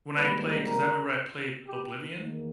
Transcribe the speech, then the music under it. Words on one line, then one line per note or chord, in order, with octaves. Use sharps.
when I play 'cause I remember I played Oblivion.
G#1 G#2 D#3 G3 A#3 B4
A#4
G4
E2 D#3 A#3